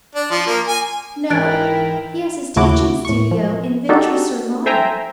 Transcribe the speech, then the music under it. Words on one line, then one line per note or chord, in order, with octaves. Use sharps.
'No; he has his teaching studio in Vitry-sur-Marne.
D4
F3
A#3
G#5
G#2 E3 E4 A#4 G5 F#6 A6 D7
D#2 C#3 A3 E4 F#4 D6
A2 C#6
F3
D4 D#4 F#4 G4 A4
A4 C5 E5 G5 G#5 A#5